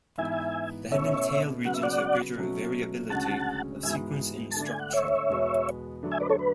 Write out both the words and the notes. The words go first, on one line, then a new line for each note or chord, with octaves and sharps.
The head and tail regions have greater variability of sequence and structure.
G#2 E3 B3 E4 E5 G#5
B2 A3 C#4 E4 C#5 E5
C#3 F#3 B3 F#4 F#5
E5
D5 F#5
B2 F#3 A3 C#4 F#4
D2 C#3 G#3 C#4 F#4 F#5 A5
G#2 E3 G#3 B3 F#4 E5 G#5
A5
D3 A3 D4
G#5
F#5
C#5 E5
E2 B2 G#3 B3 F#4
D3 F#3 A3 D4
E5 G#5
B4 D5
A4 C#5
B4